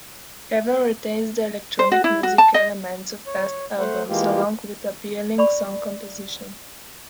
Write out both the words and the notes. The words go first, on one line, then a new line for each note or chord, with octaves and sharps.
"Haven" retains the electronic music elements of past albums, along with appealing song composition.
C5
F#4
E4
F#4
A5
D#5
C#5
A3 C5 F#5
E3 G#3 A#3 F4 G4
D5 B5 C#6